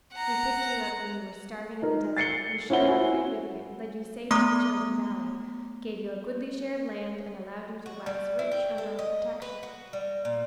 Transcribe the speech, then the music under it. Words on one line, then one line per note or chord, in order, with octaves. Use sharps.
We picked you up when you were starving in the desert, we shared our food with you, led you safe to the Chosen Valley, gave you a goodly share of land, and allowed you to wax rich under our protection.
F#5 A#5
D#4 A#4
A6 C7 C#7 G7
C#4 E4 C5 F#5 G7
E4 F#4 G#5
A3 B3 A#5 D6 D#6
F#4
G3
E4
G5
A4
D#5
B4
F#4
G3
A#2